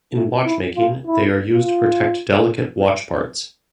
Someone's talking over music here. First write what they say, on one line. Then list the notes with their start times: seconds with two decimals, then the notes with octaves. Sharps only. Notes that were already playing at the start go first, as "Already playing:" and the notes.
In watchmaking they are used to protect delicate watch parts.
0.15 A3
0.45 E4
0.76 F4
1.06 E4
1.52 F4